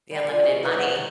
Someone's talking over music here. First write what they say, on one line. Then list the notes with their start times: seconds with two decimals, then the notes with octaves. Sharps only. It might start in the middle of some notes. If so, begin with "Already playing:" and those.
The unlimited money,
0.11 G3 G5
0.28 F4 G#5
0.42 E3 F#4 G#4 D#5 G#5
0.63 D#4 E4 G#4 A#4 B4 E5
0.78 F2 F#5
0.95 D#3 F#3 G#3